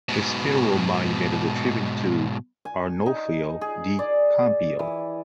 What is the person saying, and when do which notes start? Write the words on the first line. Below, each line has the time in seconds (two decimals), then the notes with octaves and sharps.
His funeral monument is attributed to Arnolfo di Cambio.
0.09 G#2 B2
2.65 G#5
3.06 D#4
3.61 G#4
3.99 D5
4.79 E3